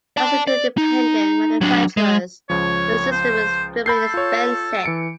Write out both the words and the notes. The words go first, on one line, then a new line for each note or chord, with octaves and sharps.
Licensing to independent manufacturers made the system extremely expensive.
D5 A5
D5
D#4
F#3 D4
G#3
C#2 F3 C#5
C5
A4 B5 G6 C7
F4 C#5
E3 C#7 D7